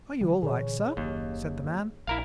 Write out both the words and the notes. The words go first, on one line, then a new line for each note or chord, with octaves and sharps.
"Are you all right, sir?" said the man.
D3 G3
A#2 D3 E3 G#4 C#5
F#1 D#2
A#1 E4 A#4 F5